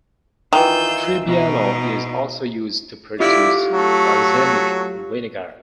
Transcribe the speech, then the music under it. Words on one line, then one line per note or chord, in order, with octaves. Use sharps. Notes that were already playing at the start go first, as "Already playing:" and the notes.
Trebbiano is also used to produce balsamic vinegar.
D#3 E3 F4 E6 G6
B2 D#4
E4 F4 G4 D5 F5
F#3 A3